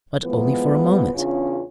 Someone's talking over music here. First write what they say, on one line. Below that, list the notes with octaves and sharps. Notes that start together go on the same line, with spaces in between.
But only for a moment.
A2 E3 F3 G#3 B3
E2 C#3 C#4 D4 F4